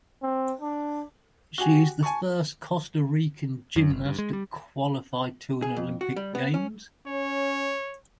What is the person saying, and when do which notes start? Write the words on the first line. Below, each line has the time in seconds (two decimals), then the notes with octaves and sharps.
She is the first Costa Rican gymnast to qualify to an Olympic Games.
0.23 C4
0.61 D4
1.58 F#4 G4 G#5
2.03 G#5 A5 C#6
3.76 F#2
3.90 G1
4.05 G2
4.19 G#3
4.33 G3
5.62 G#4
5.76 F2
6.01 F#4
6.16 G3
6.35 B3
6.54 C#4
7.07 C#4 C#5